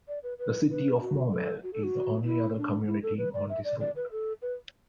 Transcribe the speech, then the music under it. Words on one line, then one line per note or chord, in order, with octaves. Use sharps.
The City of Maumelle is the only other community on this route.
D5
B4
B4
B4
F#4
A4
F#4
A4
F#4
E4
D4
E4
A4
B4
D5
E5
D5
D5
B4
A4
B4